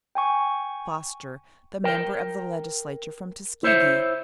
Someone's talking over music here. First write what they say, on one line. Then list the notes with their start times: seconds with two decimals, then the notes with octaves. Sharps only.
Foster, the member of the Legislature from Tuskegee.
0.15 G5 G#5 C#6
1.84 A#4 G5
3.63 E4 C5 C#5 E5